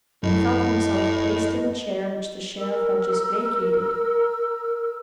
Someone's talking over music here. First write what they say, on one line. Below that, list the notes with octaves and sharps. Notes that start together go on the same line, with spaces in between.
He felt himself placed in the chair which the sheriff had just vacated.
F#2 A2 D#5
A#4 E6